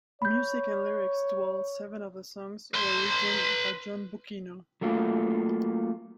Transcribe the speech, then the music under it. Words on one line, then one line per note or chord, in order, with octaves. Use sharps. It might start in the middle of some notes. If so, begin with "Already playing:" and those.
Music and lyrics to all seven of the songs were written by John Bucchino.
C#5 B5 G6
B4 C6
F#3 A3 A#3 F4